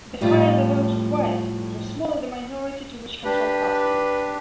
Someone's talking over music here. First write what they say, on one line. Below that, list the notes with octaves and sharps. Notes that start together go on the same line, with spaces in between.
The higher the vote required, the smaller the minority to which control passes.
F2 A2 G3 A3 F4 G4
D4 G4 B4